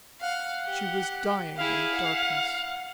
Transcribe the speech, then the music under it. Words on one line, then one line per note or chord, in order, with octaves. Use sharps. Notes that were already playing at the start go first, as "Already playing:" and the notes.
She was dying in darkness.
F5 F#5
G4
E4 G#4 F5
F#5